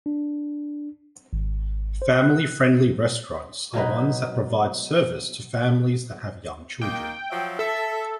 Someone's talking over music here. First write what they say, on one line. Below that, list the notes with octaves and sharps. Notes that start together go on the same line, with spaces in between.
Family friendly restaurants are ones that provide service to families that have young children.
D4
G#1
C5
F#6
B2 F#3 D#4 B4
D#3 A#3 G5
F3 F#3 E5
A4 E5